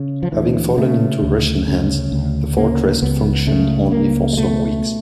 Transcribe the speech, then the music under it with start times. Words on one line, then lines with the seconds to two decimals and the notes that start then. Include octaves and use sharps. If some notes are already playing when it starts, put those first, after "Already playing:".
Having fallen into Russian hands, the fortress functioned only for some weeks.
Already playing: C#3
0.23 F3
0.32 D2 E3
0.77 C#3 A3
1.23 D2
1.67 C#3
2.12 D2
2.57 C#3 A#3
3.02 C#2 B3
3.47 C#3 A3
3.92 C#2 A#3
4.33 G#3
4.37 B2 A3